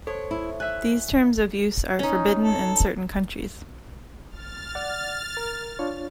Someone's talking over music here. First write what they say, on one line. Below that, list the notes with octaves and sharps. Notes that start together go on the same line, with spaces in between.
These terms of use are forbidden in certain countries.
A4 C5 C#5
E4
E5 G#5 F#6
C#4 D#4
A4
F6 A6
D5 F#5
A#4
D4 F4 C#5